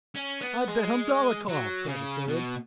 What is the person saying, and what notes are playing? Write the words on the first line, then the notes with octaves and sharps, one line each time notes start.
"I bet on Dolokhov!" cried a third.
C#4
B3
G#3
F#3
C#3
B2